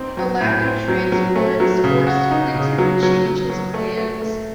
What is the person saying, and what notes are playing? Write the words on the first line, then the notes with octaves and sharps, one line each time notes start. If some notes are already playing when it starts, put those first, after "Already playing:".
A lack of transports forced Clinton to change his plans.
Already playing: C4 D#4
F#3
A2
C4
F#3
F#3
A3
F#3
C#3
F#4
D#4
C#3
F#3
F#3
F#3
F#3
A3
A3
A3